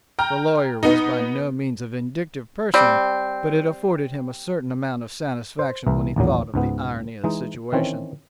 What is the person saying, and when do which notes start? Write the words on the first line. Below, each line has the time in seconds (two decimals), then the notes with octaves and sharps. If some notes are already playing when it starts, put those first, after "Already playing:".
The lawyer was by no means a vindictive person, but it afforded him a certain amount of satisfaction when he thought of the irony of the situation.
0.19 G5 A#5 F6
0.83 B3 D#4
2.74 G3 C4
5.59 C5
5.87 C2 E3
6.16 A1 D#2 A#2 F#3
6.54 C#2 G#2 B3
7.24 E3 G#3 D#4
7.73 D#3 E3 C4 C#4